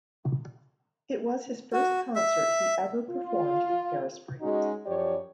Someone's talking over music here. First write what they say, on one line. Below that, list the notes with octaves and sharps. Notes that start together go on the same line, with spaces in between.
It was his first concert he ever performed in Paris, France.
F#4
E5
F4
G#3 C#4 D#4 F#4
F#2 F3 G4 C#5 D5